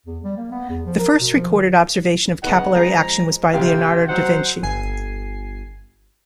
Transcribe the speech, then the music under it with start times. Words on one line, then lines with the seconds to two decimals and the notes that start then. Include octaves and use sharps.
The first recorded observation of capillary action was by Leonardo da Vinci.
0.06 E2
0.24 G3
0.37 A#3
0.51 B3
0.69 E2
0.86 F3
0.99 A#4
1.20 B2
1.35 F3
1.50 D#3
2.43 C#3 B3 D#4 F#5
2.75 F3 G#3 C4 A#5
3.53 D2 C3 F4 G4 F5
4.09 F#3 D#4 C5 F#5
4.63 G1 G#5 C7